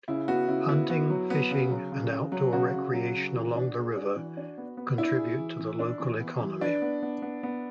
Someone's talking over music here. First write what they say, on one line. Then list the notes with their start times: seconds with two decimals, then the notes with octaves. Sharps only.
Hunting, fishing, and outdoor recreation along the river contribute to the local economy.
0.08 C#3 E4
0.28 B3 F#4
0.48 C#3 E4
0.69 B3 E4
0.89 B3 F#4
1.10 F#3
1.30 B3
1.51 C#3
1.71 F#3
1.92 C#3
2.12 C#3
2.32 F#3
2.53 C#3 F#4
2.73 C#3
2.93 F#3
3.15 C#3
3.34 E3
3.56 D4
3.75 G#4
3.96 D4
4.16 E3
4.37 D4
4.58 B3
4.77 B3
4.98 D4 E4
5.18 G#4
5.39 E3
5.59 E3
5.79 D4
6.00 E3
6.20 B3
6.41 E3
6.61 D4 B4
6.82 B3
7.02 B3
7.22 B3
7.43 B3